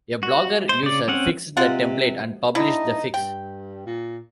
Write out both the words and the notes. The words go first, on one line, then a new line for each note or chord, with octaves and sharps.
A blogger user fixed the template and published the fix.
F#4
C5
C#3 D5
C4 C#4 F#5
C3 G#3 F4 F#5
D3 D#4 E4
G2 G5
A#2